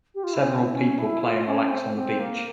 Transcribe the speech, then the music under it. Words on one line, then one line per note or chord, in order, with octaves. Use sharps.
Several people play and relax on the beach.
G4
F4
E4
C#4
C4
E4
C#4
E4
F4
C#4
C4
C4
A#3